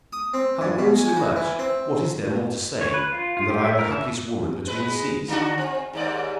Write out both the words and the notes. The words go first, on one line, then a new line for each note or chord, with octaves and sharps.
Having owned so much, what is there more to say than that I am the happiest woman between the seas?
D#6
C4
G2
B2
G#5
F#4
E3
C4
C#5
B4
F4
F4
G4
E5
A#4
E5
G#3 B4
D3 D4 F#4
C4
D#2 G#2 D5